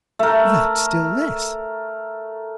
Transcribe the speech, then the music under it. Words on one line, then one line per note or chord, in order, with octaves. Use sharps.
"That still less."
A3 A#4